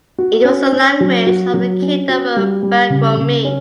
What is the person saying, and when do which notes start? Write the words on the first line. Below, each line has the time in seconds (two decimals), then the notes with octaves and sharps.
It was the language of the Kingdom of Baguirmi.
0.18 F#4
0.45 C#4
0.72 C#4
1.00 F#3
1.27 F#4
1.54 F#3
1.82 C#4
2.09 F#4
2.36 G3
2.63 G3
2.90 C#3
3.17 C#3
3.44 C#4